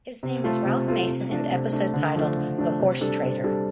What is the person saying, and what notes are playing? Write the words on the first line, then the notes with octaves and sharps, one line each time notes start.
His name is Ralph Mason in the episode titled The Horse Trader.
C3
A3 F4 A4
C3
A3 F4 A4
C3
A3 D4
C3
A3 D4
D3
F3 A3 D4
D3
F3 A3 D4
C3
G3 D4 A4
C3
G3 D4 A4